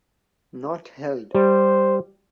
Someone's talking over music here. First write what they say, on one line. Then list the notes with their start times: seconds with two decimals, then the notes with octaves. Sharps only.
Not Held.
1.35 G3 C5